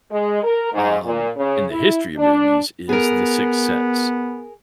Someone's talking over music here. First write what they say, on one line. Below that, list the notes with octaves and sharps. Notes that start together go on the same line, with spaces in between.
um, in the history of movies, is The Sixth Sense.
G#3
A#4
G#2
A#2
C#3
E4
D4
B3 G#4 A#4